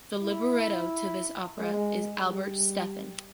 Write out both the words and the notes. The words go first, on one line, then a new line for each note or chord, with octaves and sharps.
The libretto to this opera is by Albert Steffen.
E4
G#3
G3